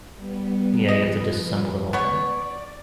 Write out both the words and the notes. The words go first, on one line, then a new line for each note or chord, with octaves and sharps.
Yeah, you've to disassemble the whole thing.
G3 B3
F3 B4 D#5
B3 C#5 D5